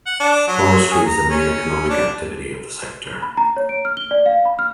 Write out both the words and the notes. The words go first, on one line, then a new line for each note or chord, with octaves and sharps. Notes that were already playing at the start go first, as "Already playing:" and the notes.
Forestry is the main economic activity of the sector.
F#5
D4
F#3
G#4
A#5
C#4
D4
B5
A#5
C#5
D7
F6
G7
D5
F5
B5
F6